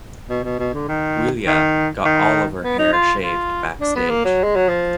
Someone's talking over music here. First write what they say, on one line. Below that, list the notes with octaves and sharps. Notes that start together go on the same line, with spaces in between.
Giulia got all of her hair shaved backstage.
B2
B2
B2
D3
D#3
D#3
D#3
B3
D#4
F4
F4
D4
B3
A#3
F#3
G#3
F#3
F3